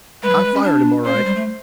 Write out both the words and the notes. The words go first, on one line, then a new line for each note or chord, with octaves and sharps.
I fired him, all right.
G#3 B4
F#3
G3
G#3
C#4
D4
C#4 C5
G#3
G3
A3